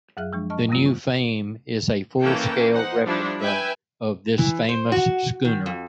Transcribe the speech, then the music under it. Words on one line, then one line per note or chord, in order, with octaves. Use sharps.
The new "Fame" is a full-scale replica of this famous schooner.
F#2 F#3 G#4 E5 F6 F#6
F3 G#3 D4
D#5 A5 C#6 F6
G2 D#3 G3 A3 B3 F4
C#3
E3 A#3 C#4 A4 G5 A5
D#4 C5 F#5
F3 G3 D4 E4
B4 E5 G5 G#5
E3
C5
F#4
D#3
F2